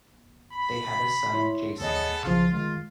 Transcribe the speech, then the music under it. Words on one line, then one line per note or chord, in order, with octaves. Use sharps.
They had a son, Jason.
B5
E4 C#5 C6
D#2 B3 G#4 A4 C#5 D#5
B1 C#3 F3 F4
D#3 G#3 F4